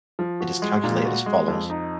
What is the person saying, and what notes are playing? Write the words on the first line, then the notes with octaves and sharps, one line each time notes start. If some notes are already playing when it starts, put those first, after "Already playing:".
It is calculated as follows.
F3
F#4
G#3
A#2
F#4
G#3
F2
D#4